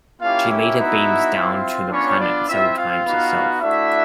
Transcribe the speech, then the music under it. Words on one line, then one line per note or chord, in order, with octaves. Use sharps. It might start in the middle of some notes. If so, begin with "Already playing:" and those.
She later beams down to the planet several times herself.
A#3 C#4 E4 F4 G4 F5
E4 E5
B3 D#4 F#4
C4 F4
B3 C#4 D4 F4 C#5
D4 D5
C4 E4 F4 E5
F4 F5
B3 D#4 F#4
A3 D4 E4 F#4 E5